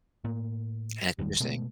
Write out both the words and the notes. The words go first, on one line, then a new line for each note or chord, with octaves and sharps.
That's interesting.
A2 A#3
E1 D#3 F3 G3
B2 G#3 A3 B3